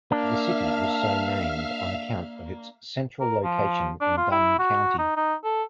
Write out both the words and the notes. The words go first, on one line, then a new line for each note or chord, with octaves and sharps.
The city was so named on account of its central location in Dunn County.
A#3 D4 E5 F5 F6
A#4
F3
D4
F4
E4
F#4
D#4
D#4
A4